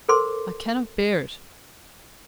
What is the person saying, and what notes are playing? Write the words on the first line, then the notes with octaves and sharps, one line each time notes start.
'I cannot bear it.
A4 A#4 C5 C6 D6